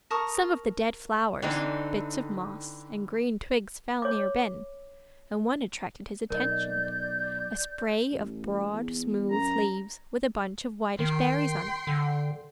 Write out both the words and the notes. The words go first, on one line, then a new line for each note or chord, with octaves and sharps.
Some of the dead flowers, bits of moss, and green twigs fell near Ben, and one attracted his attention,--a spray of broad, smooth leaves, with a bunch of whitish berries on it.
A#4 A5 C#6 D#6
D3 E3 C4 D#4
C#5 D6
B1 A#4 D5 D#5 G6
A1
E2
F#2 A#5
D#3 G5 C6
D3